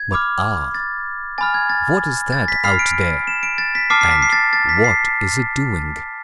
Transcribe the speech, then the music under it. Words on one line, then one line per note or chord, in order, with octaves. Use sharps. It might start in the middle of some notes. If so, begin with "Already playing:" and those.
But ah! what is that out there, and what is it doing?
Already playing: G#6
B5 D6 F6
A6
G#5 B5 F6 A6
G#6
A6
A6
B6
B5 F6 C7
D7
E7
D7
A6
B6
A5 D6 F6 C7
C7
B6
C7
A6
A6
B6
C7